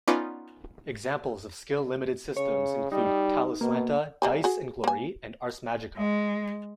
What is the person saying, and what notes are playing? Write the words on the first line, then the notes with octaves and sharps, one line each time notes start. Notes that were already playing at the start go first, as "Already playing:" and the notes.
Examples of skill-limited systems include Talislanta, Dice and Glory and Ars Magica.
B3 C#4 D#4 F4 D5
C#3 C#5
G3 D#4
B2 A#3
G3 A#3 G#5
F#4 G#4
A#3 G#5
G#3